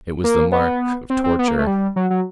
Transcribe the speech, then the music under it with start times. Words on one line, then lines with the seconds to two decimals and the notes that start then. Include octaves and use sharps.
It was the mark of--torture!
0.24 A#3
0.52 B3
1.10 C4
1.24 C4
1.39 B3
1.48 A#3
1.58 A3
1.67 G3
1.96 F#3
2.10 F#3